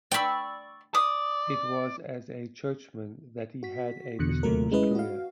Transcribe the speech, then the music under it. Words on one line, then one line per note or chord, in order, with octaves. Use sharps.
It was as a churchman that he had a distinguished career.
D5 G5 B5 C#6 E6
D5 D#6
F#4 B6
E2 B2 D3 F#6 C#7
D#2 C3 F#3 A3 A#4
G#3 C#4 E4 B4 D#5
F#4 F5